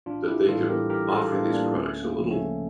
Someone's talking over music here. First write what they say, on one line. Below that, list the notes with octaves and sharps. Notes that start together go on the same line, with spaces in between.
that they can offer these products a little,
A1 D4 F4
E4 G4
A2 E3 G3 F4 A4
G4 A#4
A1 G4 A#4
F4 A4
A2 E3 G3 D4 F4
A#3 D4
D2 A3 C#4
A#3
C#3 F3
A3 C#4